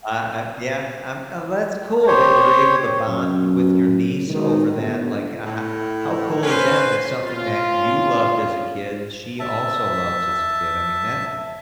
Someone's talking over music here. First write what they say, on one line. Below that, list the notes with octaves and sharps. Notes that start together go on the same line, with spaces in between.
Uh I yeah, um, and that's cool that you're able to bond with your niece over that, like, ho how cool is that, that something that you loved as a kid, she also loves as a kid, I mean, that
G4 C5 C#5
F#2
B2 D#3 G#3 D#4
G1
A2
C#4 B4 C5
C#4 F4
E5 A5